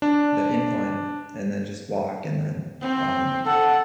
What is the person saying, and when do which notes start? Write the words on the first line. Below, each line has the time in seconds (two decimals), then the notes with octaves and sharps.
the incline- and then just walk, and then, um,
0.02 D4
2.81 C4
3.46 A4 F#5